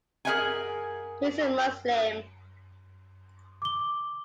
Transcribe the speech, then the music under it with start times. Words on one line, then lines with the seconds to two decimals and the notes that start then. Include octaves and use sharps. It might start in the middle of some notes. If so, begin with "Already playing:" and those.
He is a Muslim.
0.25 G#4 A#4 B4 E5 F#5 G#5
3.62 D6 G7